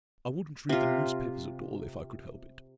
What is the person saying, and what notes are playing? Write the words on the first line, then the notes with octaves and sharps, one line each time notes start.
I wouldn't read the newspapers at all if I could help it.
C3 F4